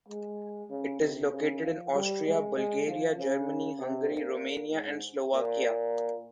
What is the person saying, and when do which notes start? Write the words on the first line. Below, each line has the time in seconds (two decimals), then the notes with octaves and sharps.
It is located in Austria, Bulgaria, Germany, Hungary, Romania and Slovakia.
0.08 G#3
0.70 C#3
1.01 C3
1.31 C#3
1.62 F3
1.94 G3
2.25 G#3
2.55 G#3
2.87 F3
3.18 C#3
3.78 C3
4.09 A#2
4.72 G#2
5.34 A#2